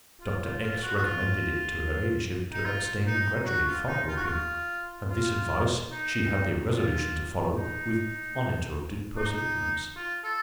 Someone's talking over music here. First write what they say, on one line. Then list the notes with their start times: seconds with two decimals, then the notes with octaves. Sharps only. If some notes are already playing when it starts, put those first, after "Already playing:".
Dr. X---- recommended it to her ladyship to abstain gradually from opium, and this advice she had the resolution to follow with uninterrupted perseverance.
0.21 F4
0.41 F4
0.62 F4
0.83 F#4
0.96 F#4
1.02 F4
2.52 D#4
2.65 F4
3.07 D#4
3.46 F#4
3.67 F4
3.87 D#4
4.08 F4
4.17 F#4
4.25 F4
5.09 F4
5.91 D#4
6.72 F4
7.54 D#4
9.16 D#4
9.96 F4
10.23 A4